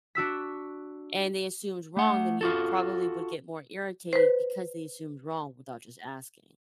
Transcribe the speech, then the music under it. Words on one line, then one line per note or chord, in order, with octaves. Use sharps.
and they assumed wrong, then you probably would get more irritated because they assumed wrong without just asking.
D4 F#4 E6 B6
A3 F#5
F4 F#4 A4
B4 C5